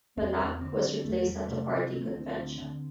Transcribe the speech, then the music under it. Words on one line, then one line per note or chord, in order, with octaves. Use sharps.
Banac was replaced at the party convention.
E2 C4
E2
D3 C4
D3
E2 A3
E2 G3
C3 A3
C3 C4
D2 C4
A3
C4
D2
D3
D3